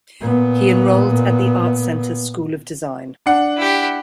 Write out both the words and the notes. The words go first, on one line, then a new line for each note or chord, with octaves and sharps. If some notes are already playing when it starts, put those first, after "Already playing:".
He enrolled at the Art Center School of Design.
A#2 B3
D4 F#5
E4 G4